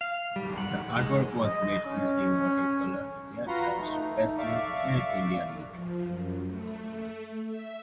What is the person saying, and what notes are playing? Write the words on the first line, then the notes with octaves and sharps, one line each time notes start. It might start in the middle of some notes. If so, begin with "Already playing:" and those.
The artwork was made using watercolor airbrush, pastels, and India ink.
F5
G3
F#5
G#3
D#5
C#4
F4 F#4 B4 F#5 A#5 C6
A3 D#4
D5 E5 F5 C#6 D6
F3
F#2
A3
A3
E5